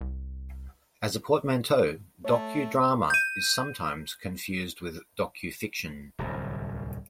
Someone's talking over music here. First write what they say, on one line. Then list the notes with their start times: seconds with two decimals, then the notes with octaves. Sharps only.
As a portmanteau, "docudrama" is sometimes confused with docufiction.
0.01 C2
2.25 A3 C#5 A5
3.10 G6 D#7
6.19 D1 C2 F#2